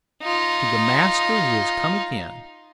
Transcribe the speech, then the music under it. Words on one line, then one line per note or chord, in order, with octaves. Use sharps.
To the master who has come again!
D#4 F4